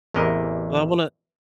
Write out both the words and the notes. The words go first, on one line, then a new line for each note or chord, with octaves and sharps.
Well, I wanna
A1 E2 C3 A#4 D#5